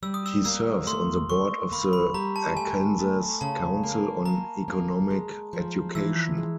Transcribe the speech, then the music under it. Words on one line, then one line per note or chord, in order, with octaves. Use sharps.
He serves on the board of the Arkansas Council on Economic Education.
G3 E6
D#6
E6
A#3 E6
A3 C6
A3 C#6
A#3 B5
B5
G3 A#5
A5
A3 G#5
A3
C#3 A5
A#3
A#3 A#5
A#3
G#3
F3
E3 E6
G#3